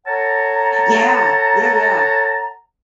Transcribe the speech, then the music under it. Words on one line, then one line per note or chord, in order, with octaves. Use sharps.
Yeah! Yeah, yeah.
A4 C#5 F#5 A5 A#5